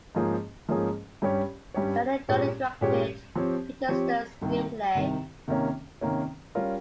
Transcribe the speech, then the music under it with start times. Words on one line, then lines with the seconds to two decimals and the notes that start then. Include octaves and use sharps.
Stanley Donen directed Peter Stone's screenplay.
0.15 G#2 F3 A#3 C#4 G#4
0.69 G#2 F3 A#3 C#4 G#4
1.22 G2 G3 C#4 G4 C#5
1.74 G2 G3 C#4 G4 C#5
2.28 A#2 G#3 C#4 G4 C#5
2.81 A#2 G#3 C#4 G4 C#5
3.35 F3 C4 G4 C#5
3.88 F3 C4 G4 C#5
4.41 C2 C3 D#3
4.95 C2 C3 D#3
5.48 C3 D#3 A#3 C#4
6.01 C3 D#3 A#3 C#4
6.55 G3 C#4 F4 A#4